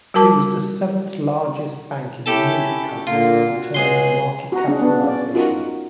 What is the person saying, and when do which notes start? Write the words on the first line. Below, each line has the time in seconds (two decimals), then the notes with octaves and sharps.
It was seventh largest bank in the Nordic countries in terms of market capitalization.
0.14 G3 F#4 A#4 A5 D6
2.26 C#4 E4 G4 A4 A5
3.07 A#2 D3 A#3 F4
3.55 F#4
3.74 C#2 G#4 C6
4.52 F#4 A#5
4.68 C#4 D4 G#4
4.81 B3 D4
5.04 C#4 D5
5.34 D#4 F4 F#4 A#4